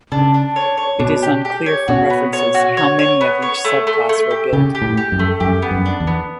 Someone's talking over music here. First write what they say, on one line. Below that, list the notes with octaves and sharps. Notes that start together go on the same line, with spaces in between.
It is unclear from references how many of each subclass were built.
C#3 D4
D4
C#5
C#5
B2 D4
G4
G4
C#5
B2 F#4
B3
C#5
F#4
C#5
C#5
B3
C#5
A3
A3
A3
G4
C#3 G4
G4
A2
G4
F#2
A3
F#2 G4
B3
F#2
D4
E2
B3